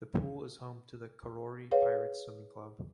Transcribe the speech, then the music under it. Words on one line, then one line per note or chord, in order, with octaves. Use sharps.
The pool is home to the Karori Pirates swimming club.
G#4 B4 C#5 F5